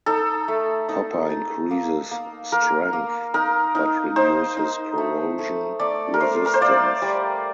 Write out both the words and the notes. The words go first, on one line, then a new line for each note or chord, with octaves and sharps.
Copper increases strength, but reduces corrosion resistance.
D#4 A4
A3
D#4
D#4
A#3
A#3
A#3 A#4
A#3
D#4 A#4
D#4
D#4 C5
D#4
A3
A3
A3 D5
A#4
A3 C5
A#4
C5
A#3 D5
G3